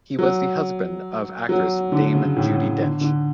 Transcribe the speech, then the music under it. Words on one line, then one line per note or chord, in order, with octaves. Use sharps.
He was the husband of actress Dame Judi Dench.
F#3
F#3
D3
C#3
A2
C#3
D3
D3